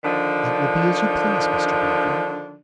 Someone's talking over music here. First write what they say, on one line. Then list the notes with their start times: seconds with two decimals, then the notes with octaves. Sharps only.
'That will be as you please, Mr Boffin.
0.04 D3 D#3 F3 D4